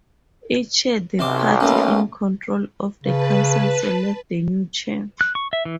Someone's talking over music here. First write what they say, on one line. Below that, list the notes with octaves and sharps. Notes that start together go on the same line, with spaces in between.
Each year the party in control of the council selects the new chair.
B1 C3 C5 D6
A3 A#3 C#4
C#3 B4 A5
F#6
C#6
E5
E3